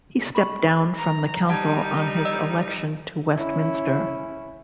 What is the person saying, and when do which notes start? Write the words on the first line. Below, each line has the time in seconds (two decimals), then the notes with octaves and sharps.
He stepped down from the council on his election to Westminster.
0.35 B5 C#6
0.96 A#5
1.49 G3 D#4 F#5 A5 G#6
2.25 D5 D#5 E6
3.35 C#4 E4